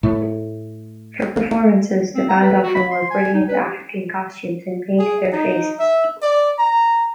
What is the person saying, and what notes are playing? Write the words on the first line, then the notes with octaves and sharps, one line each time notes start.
For performances, the band often wore brilliant African costumes and painted their faces.
A2 A3
C4
A#5
B4
F#4
B5
C6
G#5
D#4
B4
G4
G#4
D#4
E5
D5
A#5